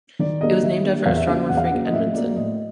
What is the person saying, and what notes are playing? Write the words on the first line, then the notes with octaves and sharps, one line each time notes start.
It was named after astronomer Frank Edmondson.
D#3 D5
G3 A#3 D4 D#5
D#3 E5
G3 A#3 D4
E2 F5
E5
C#3 F#3 A#3 F5
E2 F#5
F5
F#5
C#3 F#3 A#3
D#5
A2 E5
F#3 A#3 D5
A2 D#5